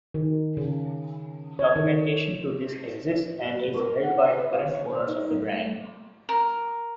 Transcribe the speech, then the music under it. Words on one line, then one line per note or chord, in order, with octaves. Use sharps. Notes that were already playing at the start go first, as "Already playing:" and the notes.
Documentation to this exists and is held by the current owners of the brand.
D#3
C#3
C#5
D#3
F#4
B4
A#4
F#5
B4
F5
C#5
C5
D#4
A#4